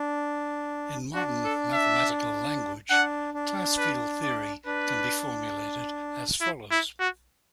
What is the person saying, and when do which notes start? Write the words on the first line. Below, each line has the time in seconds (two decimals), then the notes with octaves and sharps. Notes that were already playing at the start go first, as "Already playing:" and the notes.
In modern mathematical language class field theory can be formulated as follows.
Already playing: D4
1.14 D4 F#4
1.44 A4
1.73 E5
2.90 D4 F#5
3.34 D4
3.78 B4
4.22 D5
4.66 D4 B4
6.41 E4
6.71 E4
6.99 F#4